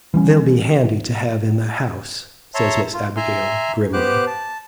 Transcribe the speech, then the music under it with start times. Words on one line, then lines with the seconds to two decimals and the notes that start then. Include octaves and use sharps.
"They'll be handy to have in the house," says Miss Abigail, grimly.
0.14 E3 G3 C#4
2.55 C#5 E5 A5 A#5 C6
2.94 F4
3.17 E5 G#5 A#5 C6
3.93 B3 G4 C5 D6 F#6
4.27 A5